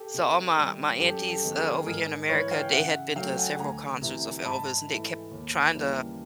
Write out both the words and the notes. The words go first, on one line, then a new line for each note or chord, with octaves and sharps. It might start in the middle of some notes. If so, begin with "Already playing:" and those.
So all my my aunties, uh, over here in America, they had been to several concerts of Elvis and they kept trying to uh,
Already playing: G4 A4
C3
D#3 G3
F#2 G4 A4
G4 A4
D#3 G#3 B3
G#4 A#4
G#2 G#4 A#4
E3 G#3 B4 C#5
F5 G5
C#3 E5 F#5
F#3 A3 F5 G5
F#5 G#5
D2 G#5 A#5
C3 E3
G#2 A5 B5
E3 A3
D#2
C#3 E3 G3 A#3